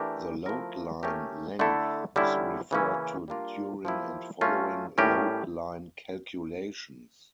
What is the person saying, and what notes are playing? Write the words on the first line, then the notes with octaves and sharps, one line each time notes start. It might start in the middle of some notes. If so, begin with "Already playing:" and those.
The load line length is referred to during and following load line calculations.
Already playing: E3 A3 D4 G4 A#4
F3 A3 E4 A#4
A3 C#4 G4 A#4
D3 A3 E4 A4
D3 G3 C#4 E4
C#3 E3 A#3 C#4 E4
G3 A#3 D4 F4 A#4
F3 A#3 E4 G4
A3 C#4 F4
A2 G3 C#4 G4 A#4